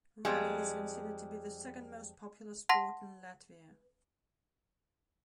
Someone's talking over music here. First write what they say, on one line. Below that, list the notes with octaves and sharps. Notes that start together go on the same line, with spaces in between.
Rally is considered to be the second most popular sport in Latvia.
F2 G3 G#3
F#5 A5 C6 A#6